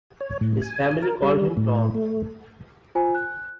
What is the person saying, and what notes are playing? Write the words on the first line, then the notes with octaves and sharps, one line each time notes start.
His family called him Tom.
C#5
A2
G#5
A#4
G3
A2
A3
F4 C5 G#5
F#6